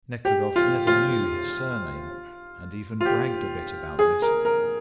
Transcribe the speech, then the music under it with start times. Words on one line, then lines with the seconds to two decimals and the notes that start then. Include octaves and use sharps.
Nekhludoff never knew his surname, and even bragged a bit about this.
0.25 G4
0.56 F4
0.87 F4
3.01 F4
3.05 G4
3.99 G#4
4.22 A#4
4.45 A#4